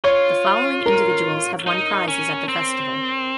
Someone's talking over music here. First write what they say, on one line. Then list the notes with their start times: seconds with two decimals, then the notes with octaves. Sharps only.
The following individuals have won prizes at the festival.
0.04 F4 C#5
0.86 A#4
1.67 D#4
2.08 C#4
2.48 C4